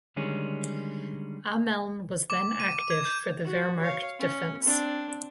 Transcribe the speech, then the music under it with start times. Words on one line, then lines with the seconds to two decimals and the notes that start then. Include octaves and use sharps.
Ameln was then active for the Wehrmacht defense.
0.16 D3 D#3 G3 G#3 C#4
2.30 D6
2.60 D#7
2.90 G#6
3.05 G6
3.44 F#4
3.81 C#5 F5
4.19 C#4
4.63 C4 D4